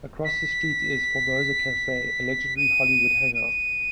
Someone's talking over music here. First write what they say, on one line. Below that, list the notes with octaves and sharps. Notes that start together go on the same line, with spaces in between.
Across the street is the Formosa Cafe, a legendary Hollywood hangout.
B6
D#7
D#7